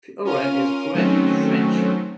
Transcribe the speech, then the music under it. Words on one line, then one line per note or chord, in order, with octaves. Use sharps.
Feore is fluent in French.
C#4 F4 A#4 F6 D#7
D#3 F#3 A3 C4 C#4